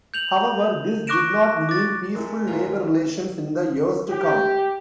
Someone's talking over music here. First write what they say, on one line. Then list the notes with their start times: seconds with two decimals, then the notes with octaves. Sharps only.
However, this did not mean peaceful labor relations in the years to come.
0.14 G6 F7 F#7
1.07 C#6 D6 F#6 A#6 D7 E7
1.69 D6 A6
2.15 C3 G#3 A3 E4 A#4
2.47 D#3 E3 F#3 F4
4.09 G4